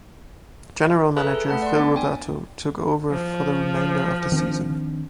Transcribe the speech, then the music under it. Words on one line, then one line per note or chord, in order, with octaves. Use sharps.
General manager Phil Roberto took over for the remainder of the season.
G#4 A4 B4 E5 A#5 F#6
A4
A3 F#5 A5
D5 C6
B3 D4 D6
G5 G#5
F3
D#3 C4 D4